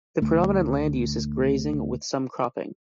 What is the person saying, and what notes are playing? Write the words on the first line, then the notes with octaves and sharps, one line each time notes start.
The predominant land use is grazing with some cropping.
D2 A3